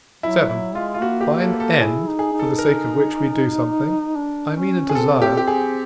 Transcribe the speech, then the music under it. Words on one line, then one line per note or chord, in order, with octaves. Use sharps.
VII. By an end, for the sake of which we do something, I mean a desire.
F#3 E4
F#3 E4
G#3 F4
F4
A#3 F#4
G4
A4
A4
E4 G#4
D#4
G#4
D#4
A4
A#4
D4
C#4
G#4
C4 A4
G4
G4
G#4